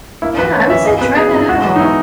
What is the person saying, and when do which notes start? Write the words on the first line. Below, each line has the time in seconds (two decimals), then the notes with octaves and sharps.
Yeah, I would say try that out.
0.22 A#3 E4
0.38 E3 B4
0.53 C#4 C#5
0.70 E3 E5
0.85 A#3 D#5
1.01 B2 B4
1.16 C#4 G#4
1.33 B2
1.38 E4
1.49 G#3 F#4
1.64 E3
1.76 D#4
1.80 B3 E4